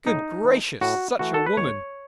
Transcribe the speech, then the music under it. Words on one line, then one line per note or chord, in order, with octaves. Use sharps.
Good gracious, such a woman!'
A2 D#4
E3 A3
A2 F#4
E3 A3 F#4
A4
B4
D#2 C#5